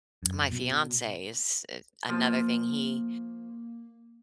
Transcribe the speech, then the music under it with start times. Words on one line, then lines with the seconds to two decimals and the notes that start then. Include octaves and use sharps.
my fiancé is i another thing. He
0.23 F#2
0.51 B2
2.09 F3 A#3